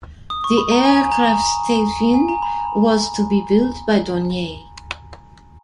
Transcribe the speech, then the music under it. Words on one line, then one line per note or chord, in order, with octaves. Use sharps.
The aircraft's tailfin was to be built by Dornier.
D#6
C#6
B5
A#5
G#5
A#5
G#5
A#5
B5